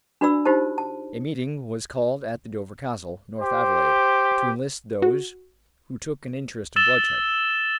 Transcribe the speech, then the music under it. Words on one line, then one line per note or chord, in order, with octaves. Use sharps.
A meeting was called at the Dover Castle, North Adelaide, to enlist those who took an interest in bloodshed.
D4 F#4 B4 D5 B5 E6
D#4 F4 G4 C5 A5
A5
G4 C5
F#4
E6 A6 E7 G7